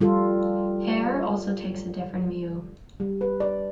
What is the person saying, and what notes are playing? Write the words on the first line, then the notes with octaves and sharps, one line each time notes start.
Hare also takes a different view.
G3 F4 A4
G3
B4
D5